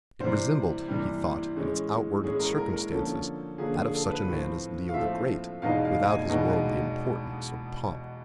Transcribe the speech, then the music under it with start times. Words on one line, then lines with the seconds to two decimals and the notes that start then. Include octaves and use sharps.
It resembled, He thought, in its outward circumstances that of such a man as Leo the Great, without His worldly importance or pomp.
0.20 C3 E3 G3 C5
0.88 C3 E3 G3
1.55 A2 E3 G#3 C#4
2.23 A2 E3 G#3 C#4 G#4
2.40 A#4
2.58 A#4
2.74 A#4
2.91 D3 F3 A#3 C#4 A4
3.58 D3 F3 A#3 C#4 G#4
3.76 G#4
3.93 A4
4.09 B4
4.26 A2 F3 A3 C4
4.89 F5
4.94 A2 F3 A3 C4 E5
5.62 E2 B2 G#3 B3 D#4 F5
5.85 F5
6.07 G#5
6.29 E2 B2 G#3 B3 D#4